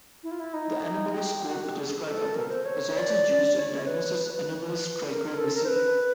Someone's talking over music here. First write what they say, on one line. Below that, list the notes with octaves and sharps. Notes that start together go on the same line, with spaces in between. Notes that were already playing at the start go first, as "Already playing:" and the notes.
The anomaloscope, described above, is also used in diagnosing anomalous trichromacy.
E4
F4
E4
D#4
D#4
G4
F#4
G4
G#4
A4
A4
A#4
C5
C#5
D5
C#5
B4
B4
A#4
A4
A#4
C5
B4